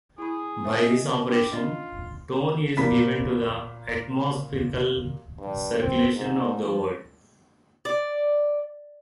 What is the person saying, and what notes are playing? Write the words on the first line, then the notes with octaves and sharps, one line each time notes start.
By this operation, tone is given to the atmospherical circulation of the world.
E4 G#4 B5
A4 C5 E5
C#4 F4 D#5
C4
D4 G4
C#4 D4 F4 D#5
A#2 A#3 B5 B6
G2
C4
G#2
F3
D5